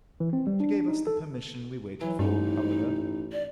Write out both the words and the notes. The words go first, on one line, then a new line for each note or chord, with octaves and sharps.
She gave us the permission we waited for, however.
E3
C4
G3
D4
D#4
A4
E3 F#3
A1 G2 D#4
D5